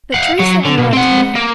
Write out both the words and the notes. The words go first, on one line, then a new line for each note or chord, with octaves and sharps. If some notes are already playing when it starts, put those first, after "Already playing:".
But Teresa interrupted me.
F5 F#5
F#3 C#5
D3
B2
C4 F#5
A#3